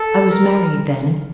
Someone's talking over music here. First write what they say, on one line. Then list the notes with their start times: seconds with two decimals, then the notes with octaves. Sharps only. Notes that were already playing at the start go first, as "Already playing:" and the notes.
I was married then.
Already playing: A4
0.31 A#4